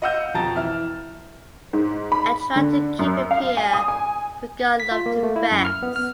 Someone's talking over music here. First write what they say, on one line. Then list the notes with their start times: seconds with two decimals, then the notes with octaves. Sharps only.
I tried to keep him here but God loved him best.
0.02 D#5 F5 F#5 E6 G6
0.35 F2 B2 A5 A#5 A6
0.56 E3 E5 F6
1.73 G#2
2.12 B5
2.56 D3
2.99 F#2
3.31 F5
3.57 G#5
3.73 D#6
3.88 G#5
4.80 B6
4.91 F4
5.06 A#3
5.23 A3
5.36 E4
5.51 F#2
5.65 F6
5.83 B3
5.96 F6